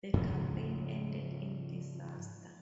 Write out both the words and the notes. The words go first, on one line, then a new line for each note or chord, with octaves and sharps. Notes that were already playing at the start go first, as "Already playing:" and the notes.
The campaign ended in disaster.
G#2 C#3 F3 G#3